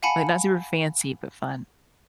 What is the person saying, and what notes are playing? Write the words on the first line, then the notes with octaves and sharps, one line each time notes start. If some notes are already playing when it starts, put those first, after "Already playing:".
like, not super fancy, but fun.
F5 F#5 G#5 A5 B5 C#7